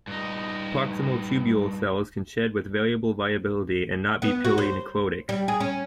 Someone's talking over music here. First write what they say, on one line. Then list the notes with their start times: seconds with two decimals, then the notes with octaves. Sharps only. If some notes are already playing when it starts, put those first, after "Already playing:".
Proximal tubule cells can shed with variable viability and not be purely "necrotic".
0.07 G2 D#4
4.22 B3
4.45 F#4
4.58 C5
5.29 G3
5.48 G#4
5.60 C#4